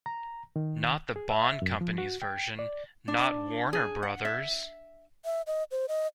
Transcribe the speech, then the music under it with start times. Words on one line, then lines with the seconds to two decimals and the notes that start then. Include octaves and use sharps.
Not the bond company's version, not Warner Brothers'.
0.06 A#5
0.56 D#3
1.16 G#4
1.30 E5
1.62 F#2
1.81 F3
1.98 F#4
2.22 G5
2.59 D5
3.08 D4
3.73 G#4
4.03 F#5
4.25 E5
5.25 E5
5.47 D#5
5.71 C5
5.89 D#5